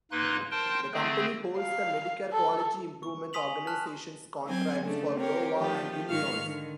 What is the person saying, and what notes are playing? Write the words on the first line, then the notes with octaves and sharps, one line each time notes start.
The company holds the Medicare Quality Improvement Organizations contracts for Iowa and Illinois.
G#2 A#3 D#4 B4 C6 F#6
A#4 C5 G5 A5 C6
D3 A3 C4 G#4
F5
A4
C#6
G#5 C6 D#6 B6 F7 F#7
A5 F6 F#6
F#3 C4 G#5
C#3 A3 D4
C4 G4 A#4 C#5
D#3 F3 A3 G4
G#2 D#3 F5 C#6 F6
D3 D#3